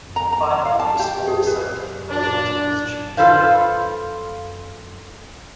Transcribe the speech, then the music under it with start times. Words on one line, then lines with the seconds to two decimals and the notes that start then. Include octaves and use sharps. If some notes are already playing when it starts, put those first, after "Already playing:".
Finally, he slowly sank in a horizontal position to the ground.
0.16 A#5
0.32 A#5
0.65 F5
0.80 A5
1.00 G4
1.27 G#4
1.47 B4
1.60 C5
2.09 D4
3.17 F4 A4 B4 C5 F5